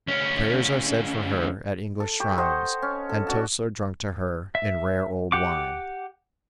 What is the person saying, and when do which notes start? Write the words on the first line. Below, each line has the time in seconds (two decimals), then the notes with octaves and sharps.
Prayers are said for her at English shrines, and toasts are drunk to her in rare old wine.
0.07 D2 C#4
2.00 A4
2.20 G4 C#6
2.37 A4 C5 D#5 F#5
2.82 C#4
3.09 A4
3.27 D4 F#4 A5
4.55 E5
5.32 G4 F#5 D6